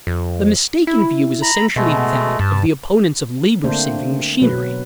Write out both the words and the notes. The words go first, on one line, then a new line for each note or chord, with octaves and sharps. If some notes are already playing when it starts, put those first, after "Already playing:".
The mistaken view is essentially that of the opponents of labor-saving machinery.
F2
E4
A#5 B5
B2 G#3 A3
G2 A5
D3 A3 A#3 C4 D4 C5
B2 F#3 B4